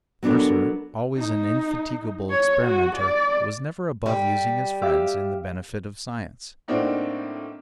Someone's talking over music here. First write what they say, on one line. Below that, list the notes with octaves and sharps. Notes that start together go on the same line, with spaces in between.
Mercer, always an indefatigable experimenter, was never above using his friends in the benefit of science.
F#3 B3 D4 A4 A#4
D#4
C#5
F#4
D5
G3
G4 E5 F5
A2 A#3 C4 D4 D#4 F#4